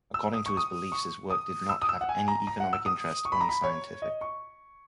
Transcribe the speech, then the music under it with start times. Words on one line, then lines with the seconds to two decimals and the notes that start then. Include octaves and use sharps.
According to his beliefs, his work did not have any economic interest, only scientific.
0.14 E6
0.34 D#6
0.46 C#6
0.57 D#6
0.92 C#6
1.30 D#6
1.69 E6
1.82 D#6
1.89 E6
2.01 F#5
2.09 G#5
2.28 A#5
2.47 A#5
2.60 F#5
2.73 E6
2.86 D#6
3.25 C#6
3.32 B5
3.41 A#5
3.49 B5
3.64 C#5
4.02 D#5
4.21 C#6